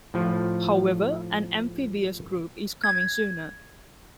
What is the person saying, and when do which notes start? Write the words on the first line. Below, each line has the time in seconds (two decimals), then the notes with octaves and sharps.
However, an amphibious group is coming sooner.
0.14 A2 F3
2.84 G#6